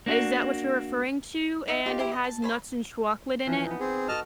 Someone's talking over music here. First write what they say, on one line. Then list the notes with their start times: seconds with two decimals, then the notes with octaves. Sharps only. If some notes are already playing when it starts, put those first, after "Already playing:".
Is that what you're referring to, and it has nuts and chocolate in it?
0.06 A#3 D4 F#4
1.68 D#4 E5
1.86 D#4 F4 G4 F5
1.99 E4 G4 C5
2.12 D#5
2.24 A5
2.42 C5 C#5 B5
3.47 E3 F3
3.66 B3 D#4
3.80 C4 G#4
4.08 F#4 A4 A#4 D#5 A5 F6